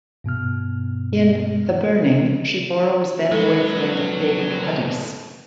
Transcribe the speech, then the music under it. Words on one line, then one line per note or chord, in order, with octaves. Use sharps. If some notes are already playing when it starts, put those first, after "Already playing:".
In "The Burning" she borrows then-boyfriend David Puddy's.
G2 B2 B3 F6
F2 F#3 G#3 D4 A4 B4